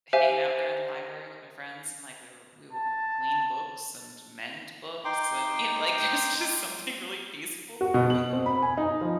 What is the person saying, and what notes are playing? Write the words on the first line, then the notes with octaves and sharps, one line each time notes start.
hanging out there in the library with my friends and like we were we would clean books and mend books and, you know, like, there's just something really peaceful for me.
G4 C5 E5 F5 G#5
A5
D#4 G5 C6 D6
F#4
B2
F#7
C4
B5
G#5
D#4
F3